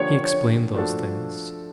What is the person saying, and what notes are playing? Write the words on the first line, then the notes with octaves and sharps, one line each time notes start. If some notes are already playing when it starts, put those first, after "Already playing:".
He explained those things.
Already playing: D3 F3 A#3 D4 G4 C#5
F3 A3 D4 F#4 A4